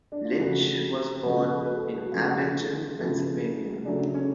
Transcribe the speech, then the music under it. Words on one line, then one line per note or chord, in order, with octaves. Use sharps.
Lynch was born in Abington, Pennsylvania.
D4
F4
C#3 F3 A3 F#4
C#3 F3 A3
B4
A4
G#4
F#4
C#3 F3 A3 F4
C#3 F3 A3
C#3 F#3 A3 D4
C#4